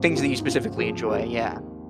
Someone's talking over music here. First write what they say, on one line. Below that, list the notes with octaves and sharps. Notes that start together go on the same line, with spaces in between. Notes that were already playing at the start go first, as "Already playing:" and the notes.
Things that you specifically enjoy, yeah.
Already playing: G#1
G4
D#2 F4
D#4
C#3 F4
F3 G#4
D#2 G#4
D#3